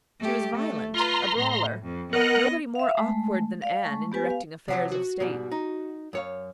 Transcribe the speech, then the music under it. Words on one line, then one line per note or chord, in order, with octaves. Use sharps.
She was violent, a brawler. Nobody more awkward than Anne in directing affairs of state.
A3 G4
A3
F4 B4 A#5 C6
A2
F2
B3 A#4 D#5 F#5
E5 F5
G#3 A3
D5 F5
G#3 A3 C#6
B3 G4 B4 G#5
F5
C3 F3 F#3 F#5 B6 C7
F#4
G#2 B2 G3
D#4
F#2 C#5 F5